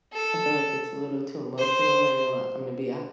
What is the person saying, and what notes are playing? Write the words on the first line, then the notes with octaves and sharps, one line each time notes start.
I feel like it's a little too emotional. I know I I'm gonna be a
A4
C5